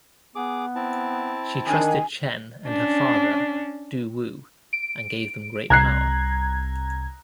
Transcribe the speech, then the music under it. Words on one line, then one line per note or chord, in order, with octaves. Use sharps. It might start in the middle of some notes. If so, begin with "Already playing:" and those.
She trusted Chen and her father Dou Wu, and gave them great power.
B3 G#4 D6
C4 E4 A5
D#3 D4 G#5
C#4 D4
D7
C2 A#5 F#6 G#6 C7